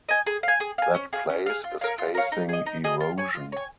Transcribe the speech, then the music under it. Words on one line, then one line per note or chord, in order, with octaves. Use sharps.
That place is facing erosion.
D#5 G#5
G#4
F5 G#5
G#4
F5 G#5
C#4
G#4 F5
C#4
G#4 F5
F4
A#4 C#5 F5
F4
A#4 C#5 F5
D#4
G#4 D#5
D#4
G#4 D#5
F4
C#5 G#5
F4
C#5 G#5